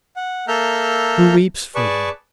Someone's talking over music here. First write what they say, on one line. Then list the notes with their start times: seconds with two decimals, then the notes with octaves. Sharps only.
Who weeps for them?
0.16 F#5
0.48 A#3 A4 E5 A#5 F6 G6
1.75 G#4 B4 D5 A5 C#6